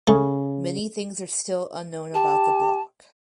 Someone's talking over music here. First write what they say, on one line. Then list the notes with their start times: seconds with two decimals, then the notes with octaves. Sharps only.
Many things are still unknown about the bloc.
0.07 C#3 A3 G#5
2.14 G4 A5